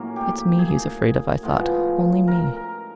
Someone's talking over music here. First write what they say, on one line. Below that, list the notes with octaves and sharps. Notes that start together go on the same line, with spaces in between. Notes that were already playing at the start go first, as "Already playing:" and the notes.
It's me he's afraid of, I thought, only me.
Already playing: A2 F#3 A#3 C#4
G4
G#4
A2 F3 G#3 B3
A#4
A#4